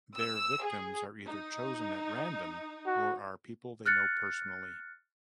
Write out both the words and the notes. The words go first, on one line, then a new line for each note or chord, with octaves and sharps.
Their victims are either chosen at random or are people they know personally.
E6
G#4
D#4
F#4
F6 F#6 A6 C#7